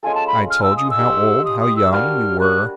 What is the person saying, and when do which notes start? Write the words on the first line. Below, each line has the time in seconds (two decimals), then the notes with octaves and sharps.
I told you how old--how young--we were....
0.03 G#3 C#4 F4 A4 G#5
0.15 A5
0.27 B5
0.51 F6
0.63 E6
0.77 D#6
0.91 E6
0.98 D#4 G4 C5
1.45 D#6
1.61 D#6
1.76 E6
1.92 G3 A#3 D4 F#4 F6
2.40 F#6